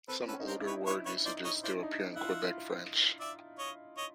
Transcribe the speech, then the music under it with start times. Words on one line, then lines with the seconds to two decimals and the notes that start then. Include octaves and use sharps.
Some older word usages still appear in Quebec French.
0.08 C4 A4 B4
0.28 C#4 A4 B4
0.40 D#4
0.47 D4 A#4 C5
0.60 E4
0.67 D#4 B4 C#5
0.86 E4 B4 C#5
1.06 E4 B4 C#5
1.25 D#4 C5 D5
1.44 D#4 C#5 D#5
1.64 E4 C5 D5
1.76 D4
1.83 D#4
2.16 E4 E5 F#5
2.22 F4
2.42 F4
3.20 D5 E5
3.58 C#5 D#5
3.97 C#5 D#5